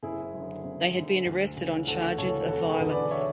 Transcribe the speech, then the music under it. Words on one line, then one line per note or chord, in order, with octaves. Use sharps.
They had been arrested on charges of violence.
F#1 E4 G#4
F#2 D3
F#1
F#2 D3
D2
C#3 E3
D2 F#4 A4
C#3 E3 A4 C#5
E1 F#4 A4
G#4 B4
E2 D3
B4 D5
C#5 E5